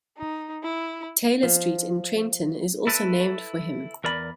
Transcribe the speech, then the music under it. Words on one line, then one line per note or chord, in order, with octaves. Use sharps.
Taylor Street in Trenton is also named for him.
D#4
E4
F3
E4 A4 B4
E2 A#4 D5 B5